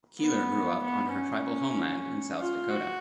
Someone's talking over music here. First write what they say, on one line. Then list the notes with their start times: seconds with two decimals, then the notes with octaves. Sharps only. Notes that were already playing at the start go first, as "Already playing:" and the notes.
Keeler grew up on her tribal homeland in South Dakota.
0.22 B3
0.84 B3
1.15 C#4
2.39 F4
2.70 F#4